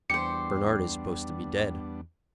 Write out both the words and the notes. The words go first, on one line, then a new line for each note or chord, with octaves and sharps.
"Bernard is supposed to be dead."
E2 G3 B3 D4 G4 C5 C#7